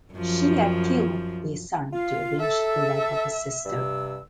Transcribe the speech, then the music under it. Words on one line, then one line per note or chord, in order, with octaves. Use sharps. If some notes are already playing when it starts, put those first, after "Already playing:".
She had killed their son to avenge the rape of her sister.
F#2 F3
F4 F5
A4 E5
G2 C3 E6